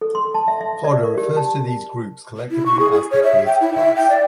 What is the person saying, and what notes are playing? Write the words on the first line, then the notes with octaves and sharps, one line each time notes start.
Florida refers to these groups collectively as the creative class.
A4
C6
A5
E5
E5
D5
A#4
G4
A5
E4
C#6
G#4
G#4
C#5
E5
G5
E4
E5
G5
D5